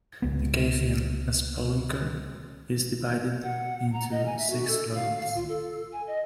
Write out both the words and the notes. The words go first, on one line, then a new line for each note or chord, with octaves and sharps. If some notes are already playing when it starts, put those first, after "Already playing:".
The cave in "Spelunker" is divided into six levels.
C#2 B3
F#5
A#5
D#5
G#5
E5
F#4
A4
F5
F4
A4
G#5
D#5